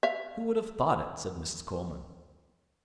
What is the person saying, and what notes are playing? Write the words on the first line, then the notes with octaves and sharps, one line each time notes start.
"Who would have thought it?" said Mrs. Coleman.
E5 F5